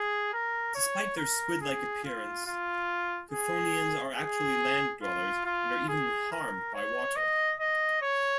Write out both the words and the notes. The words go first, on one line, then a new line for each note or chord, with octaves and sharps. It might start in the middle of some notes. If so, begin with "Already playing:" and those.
Despite their squid-like appearance, chthonians are actually land-dwellers and are even harmed by water.
Already playing: G#4
A#4
C#5
A#4
G#4
F4
F4
G#4
G#4
F4
F4
G#4
A#4
C#5
D#5
D#5
C#5